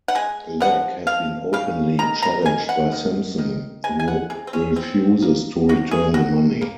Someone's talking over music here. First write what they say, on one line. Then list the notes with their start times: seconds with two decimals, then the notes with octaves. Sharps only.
Legg has been openly challenged by Simpson who refuses to return the money.
0.08 F#5
0.15 G#3 G#5
0.60 F3 F#5
1.07 F3 F5
1.53 C#3 F5
1.99 D#3 A#5
2.22 A#5
2.45 D#3 G#5
2.69 F#5
2.92 D#3
3.38 D#3
3.84 G#3 G#5
4.00 G#5
4.08 F#5
4.30 C3 G#4
4.47 C4
4.53 C#4
4.76 C#3 C4
5.22 A#3
5.69 C3 F#4
5.91 G#4
6.14 C3 F#4
6.61 A#3